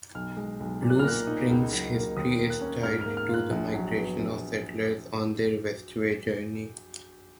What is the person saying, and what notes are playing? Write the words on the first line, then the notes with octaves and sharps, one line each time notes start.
Blue Springs' history is tied to the migration of settlers on their westward journey.
B1 F6
G#3
B1
A#2
F#6
F6
A#3 F#6
D#4
C#2
F#3
A#3
D#2 D#6
A#3
F#6
C#4
G#2 F6
A#3 F6
F6
F4 F#6
A#1
F#3
B3
A#1